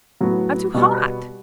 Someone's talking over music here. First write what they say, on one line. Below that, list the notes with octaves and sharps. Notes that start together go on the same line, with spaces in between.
"I'm too hot."
A2 F#3 B3
B2 G3 B3